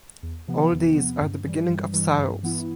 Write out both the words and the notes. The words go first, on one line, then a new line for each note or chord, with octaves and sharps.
All these are the beginning of sorrows.
E2
C3 F3 B3
E2
C3 F3 B3
G2
E3 G3
G2
E3 G3
G2
E3 B3 E4